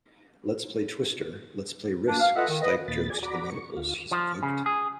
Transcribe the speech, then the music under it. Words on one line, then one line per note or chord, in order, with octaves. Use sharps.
'Let's play Twister, let's play Risk,' Stipe jokes to the notables he's invoked.
A#3 D4
F5
F4 A4 B4 D#5 E5 F#5
D#3
B4 D#5
D#2 A#2 B5 A6
G#4 D5 G#5
F#4 D5 A#5 B5 D6
C#6
D2 F4
F3
C#3
G#4